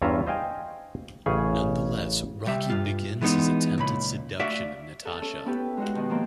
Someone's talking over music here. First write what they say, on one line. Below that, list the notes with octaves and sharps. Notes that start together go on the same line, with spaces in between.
Nonetheless, Rocky begins his attempted seduction of Natasha.
E2 G2 C#4 F4 E5 A#5
C5 D#5 F5 G5 G#5
A1 C#3 C#4 G#4 G#5
C2 G3 E5
G2 F4
E3 G#3 B3 D#4
C#2 A#2 B5
A3 F#4 D5 E5 F5
A4 E5 A5
C#4 A4
B3 C#4 E4 G4 A4 B4
G#3 C#4 D#4 F#4
B2 D#3
F3 A#3 C4